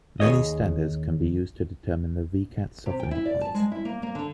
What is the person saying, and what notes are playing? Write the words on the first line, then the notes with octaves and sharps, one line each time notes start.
Many standards can be used to determine the Vicat softening point.
D#2 G#4 C#5 D#5
C3
G5
E4
D5
A5
G#3
E4
A#3
A#3
D3